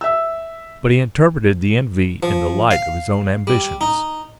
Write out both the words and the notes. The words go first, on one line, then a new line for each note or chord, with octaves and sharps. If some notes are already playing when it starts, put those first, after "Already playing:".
But he interpreted the envy in the light of his own ambitions.
E5 E6
F3
F5
G3
D#4